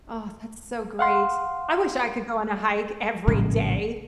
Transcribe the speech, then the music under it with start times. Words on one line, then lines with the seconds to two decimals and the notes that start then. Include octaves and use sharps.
Aw, that's so great. I wish I could go on a hike every day.
0.99 F5 F#5 C6
3.27 A#1 A2 C#3 G#3